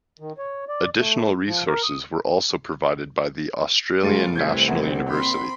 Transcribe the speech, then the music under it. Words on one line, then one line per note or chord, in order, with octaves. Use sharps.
Additional resources were also provided by The Australian National University.
D#3
C#5
D5
A3
F3
A#4
D#6
F#1 G#3 F4 A6 D#7
C2 E3 A3 C4 G6 G#6 B6
A#1 A#3 F#5
C4 B5 C6